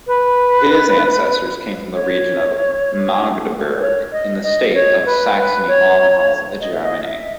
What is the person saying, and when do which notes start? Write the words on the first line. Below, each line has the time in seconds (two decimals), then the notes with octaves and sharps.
His ancestors came from the region of Magdeburg in the state of Saxony-Anhalt, Germany.
0.07 B4
1.94 C#5
3.80 C#5
4.12 D#5
4.43 D#5
4.74 C#5
5.05 B4
5.37 B4
5.68 C#5
6.61 D#5
6.73 E5
6.84 D#5
7.07 E5